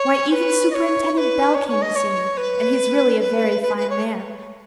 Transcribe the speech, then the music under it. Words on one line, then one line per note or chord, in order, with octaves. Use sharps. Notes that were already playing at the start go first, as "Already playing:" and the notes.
Why, even Superintendent Bell came to see me, and he's really a very fine man.
Already playing: C#5
C#5
B4
D#5
C#5
C#5
B4
C#5
C#5
D#5
C#5
B4
B4
B4
B4
C#5